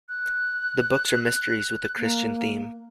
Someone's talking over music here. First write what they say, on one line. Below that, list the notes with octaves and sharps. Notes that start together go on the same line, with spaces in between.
The books are mysteries with a Christian theme.
F#6
A#3